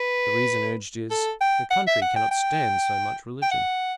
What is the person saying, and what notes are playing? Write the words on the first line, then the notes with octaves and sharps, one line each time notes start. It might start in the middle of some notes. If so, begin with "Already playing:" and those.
The reason urged is--the country cannot stand so much religion!
Already playing: B4
A4
G5
F#5
E5
F#5
G5
G5
G5
F#5